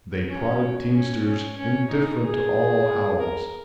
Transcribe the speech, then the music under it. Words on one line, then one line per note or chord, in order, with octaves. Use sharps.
They prodded teamsters indifferent to all howls.
C#4
C#4
C#4
C#4
D#4
G#4
A#4